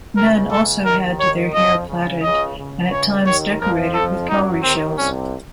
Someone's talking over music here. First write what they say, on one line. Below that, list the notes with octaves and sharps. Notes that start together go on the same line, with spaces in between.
Men also had their hair plaited and at times decorated with cowrie shells.
C#2 C#3 A#4
A4
D#2 D#3 A#4
C#5
F2 F3 D#5
C#2 C#3
C#2 C#3 D#5
C#2 C#3
C#5
D#2 D#3 C#5
F2 F3 A#4
A4
F#2 F#3 D#4
D#2 D#3 C4
C2 C3 C#4